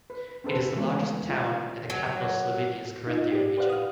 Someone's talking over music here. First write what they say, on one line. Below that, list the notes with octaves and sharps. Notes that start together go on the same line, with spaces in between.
It is the largest town and the capital of Slovenia's Carinthia region.
B4
C4 C#4 A4 B4 C5
E3 G#3 A3 B3 C#4
F4
F#3
D#4 F4 D#5
G4 D5
G4 B4 C5 D5 F5 F#5
D#6 F6